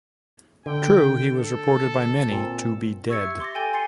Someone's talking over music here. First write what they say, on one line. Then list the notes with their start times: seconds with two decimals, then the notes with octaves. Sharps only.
True he was reported by many to be dead.
0.66 D3 G5
1.32 A4
2.30 A#2 C4
3.09 G4 C#6 E6 G#6 A6 C#7
3.21 E5
3.40 C6 D6 A6 A#6
3.55 A4 G5 G#5 G6 A6 G7
3.73 G#5 C6 A6 C7 C#7 D#7